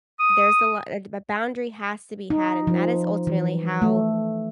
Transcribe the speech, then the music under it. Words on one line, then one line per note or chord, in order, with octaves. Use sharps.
There's a li a boundary has to be had, and that is ultimately how
D#6
D#4
F3
E3
A3